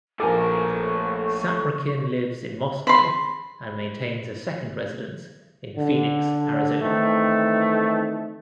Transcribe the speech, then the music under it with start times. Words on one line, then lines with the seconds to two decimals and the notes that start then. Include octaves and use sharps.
Saprykin lives in Moscow and maintains a second residence in Phoenix, Arizona.
0.20 A#1 A2 A4 A#4 G#5 D6
0.37 C#6
2.87 B5 C6
5.77 D3
6.81 D#3 E3 A3 C4